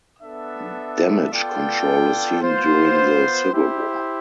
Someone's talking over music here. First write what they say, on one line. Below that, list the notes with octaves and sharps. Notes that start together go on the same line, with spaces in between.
Damage Control is seen during the "Civil War".
B3 D4 A4 E5
B3 F4 A4 D5 G5
B3 F4 C5
E4 G4 C5